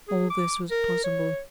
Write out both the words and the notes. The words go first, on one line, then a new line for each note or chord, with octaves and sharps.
All this was possible.
G#4
D6
A#4
C#5